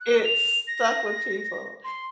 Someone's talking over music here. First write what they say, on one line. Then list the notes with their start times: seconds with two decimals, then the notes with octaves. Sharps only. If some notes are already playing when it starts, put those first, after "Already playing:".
It stuck with people.
0.01 F#6
0.24 F7
0.67 A#6
1.84 C6